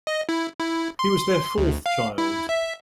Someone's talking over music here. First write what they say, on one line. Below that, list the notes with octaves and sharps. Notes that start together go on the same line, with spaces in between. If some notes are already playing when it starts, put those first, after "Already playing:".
He was their fourth child.
D#5
E4
E4
C6
D2
F5
E4
E5